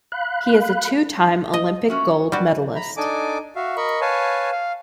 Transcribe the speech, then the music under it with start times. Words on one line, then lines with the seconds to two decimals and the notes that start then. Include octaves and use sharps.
He is a two-time Olympic gold medalist.
0.12 F5 B5 F#6
1.54 D#5
1.89 C#4 F#4 E5
2.32 G3 F#4 D5
2.75 A#5 B5
2.97 D4 D#4 A4 G#5 D6
3.56 F#4 E5 F5
3.77 A#4 D#5 B5 C#6
4.01 B4 C#5 F5 G#5 A5
4.52 F5